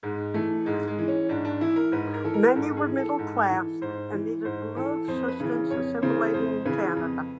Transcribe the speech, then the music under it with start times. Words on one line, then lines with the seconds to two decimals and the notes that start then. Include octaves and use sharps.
Many were middle class and needed little assistance assimilating in Canada.
0.03 G#2 G#3
0.34 E3 A3
0.66 G#2 G#3
0.88 G#3
0.98 E3
1.08 C#4
1.29 G#2 D4
1.45 D4
1.61 E3 E4
1.76 A#4
1.92 G#2 B4
2.14 A#4
2.24 E3 A4
2.34 A#4
2.55 G#2 A4
2.77 G#4
2.87 E3
2.98 A4
3.19 G#2
3.50 E3
3.81 G#2 C5
4.13 E3
4.45 G#2 C5
4.76 E3 A4
5.08 F2 C5
5.28 B4
5.40 C#3 E3
5.70 F2 C#5
6.02 C#3 E3 C5
6.34 F2 C5
6.65 C#3 E3 B4
6.97 F2